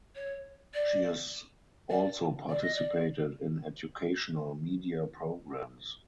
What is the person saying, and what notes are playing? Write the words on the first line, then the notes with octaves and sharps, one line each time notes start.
She has also participated in educational media programs.
C#5
D5
D5
D5
D#5
D5